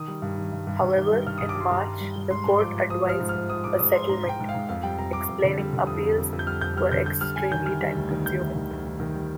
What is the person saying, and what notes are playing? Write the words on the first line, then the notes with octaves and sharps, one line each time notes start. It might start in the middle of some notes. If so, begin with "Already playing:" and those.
However, in March the court advised a settlement, explaining appeals were extremely time consuming.
Already playing: D#3 D#6
G3
G2
D#3
G2
G2
G2
D#3
G3
G2 F6
G2 D#6
D6
G3 C6
G2 A#5
G3
G3
G3
G#2 C6
G#2
F3 D6
F3
F3 D#6
F3 F6
G#2
F6
F3
F3 D#6
G#2 D6
G#2 D#6
F3 C6
G#2 A#5
G#2 G5
G#2
F5
G#2
F2 F5
G3 G5
F2 A#5
G3 D6
F2
D3
G3
D3
F2 D#6
F2
F2
F2
G6
G3 F6
F2 G6
G3 F6
D3 G6
G3 G6
G3 F6
G3 G#5
D#3 G6
G3 F6
G3
D2
D#3
D#3 G6
D2
D#3
D2
D#3
D#3
G3